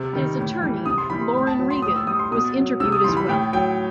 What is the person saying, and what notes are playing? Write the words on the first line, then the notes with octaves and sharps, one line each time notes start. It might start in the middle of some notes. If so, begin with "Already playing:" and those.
His attorney, Lauren Regan, was interviewed as well.
Already playing: C3
D#3 G3
A2
E3 G3
C3 D#6
C6
E3 G3 B5
C6
A2 B5
A5
F#3
C6
A2 D#6
E6
G3 D#6
C6
B2 D#6
F#3
C3 E6
D#6
E3 G3 C6
B5
A2 G5
F#3 G5